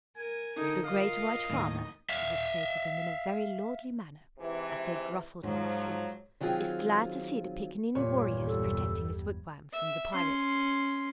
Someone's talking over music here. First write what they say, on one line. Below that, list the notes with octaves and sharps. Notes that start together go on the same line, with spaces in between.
'The great white father,' he would say to them in a very lordly manner, as they grovelled at his feet, 'is glad to see the Piccaninny warriors protecting his wigwam from the pirates.'
A#4 G#5
D3 D#4 A4 A#4
F4 A#4 D#5 F5
D#2 A2 D#4
E5 F5
G#2 C3 E3
G#2 F3 F#3
D#3 F#3 C4 F4 G#4
G1 E2 A#2 G3 C#5
A4
E5
C#4 C6